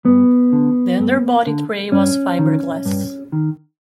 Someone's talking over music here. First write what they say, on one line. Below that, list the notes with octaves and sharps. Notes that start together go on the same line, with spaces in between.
The underbody tray was fiberglass.
G2 B3
D3
G2
D3
G2 C#4
D#3
G2
D#3